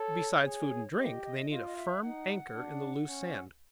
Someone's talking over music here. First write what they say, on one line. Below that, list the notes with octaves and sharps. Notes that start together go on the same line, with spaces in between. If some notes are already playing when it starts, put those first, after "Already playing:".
Besides food and drink, they need a firm anchor in the loose sand.
Already playing: A4 C#5
G#4
G4 D#5
D#5
F4 D#5
D#5
E5
D#4 F#5
D4
C#4